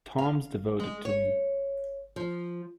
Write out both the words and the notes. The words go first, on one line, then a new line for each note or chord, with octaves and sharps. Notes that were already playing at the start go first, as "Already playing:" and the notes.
Tom's devoted to me.
F5
G#3
C#5
F3